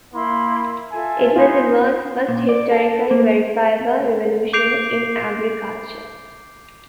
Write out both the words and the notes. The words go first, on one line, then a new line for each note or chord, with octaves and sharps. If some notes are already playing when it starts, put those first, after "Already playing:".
It was the world's first historically verifiable revolution in agriculture.
A#3 E4 B5 C6
F4 A4 E5 G#5
D#4 F4 B4 C5
A#2
D5
A4
A#3
D6 G6 C7 D7 F7